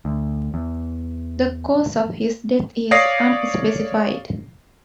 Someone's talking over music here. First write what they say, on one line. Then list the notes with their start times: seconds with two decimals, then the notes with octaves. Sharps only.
The cause of his death is unspecified.
0.05 D2
0.54 E2
2.91 C#5 D5 F5 D#6 A#6 C7